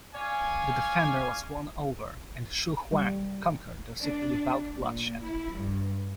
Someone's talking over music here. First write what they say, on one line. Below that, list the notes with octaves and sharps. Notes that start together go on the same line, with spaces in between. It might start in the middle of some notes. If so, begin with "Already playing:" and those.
The defender was won over and Xu Huang conquered the city without bloodshed.
C#5 D5 F5 G#5
G3
D4
A#2
E4
G2